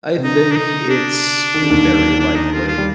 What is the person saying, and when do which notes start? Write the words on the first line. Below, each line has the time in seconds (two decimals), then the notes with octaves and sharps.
I think it's very likely
0.18 C3
0.24 D3 D#4
0.52 D4
0.56 D#4
0.89 D4
1.54 D#3
1.62 D3
1.70 D#2 D#3
2.20 D4
2.36 D#4
2.52 F4
2.68 F4
2.78 G3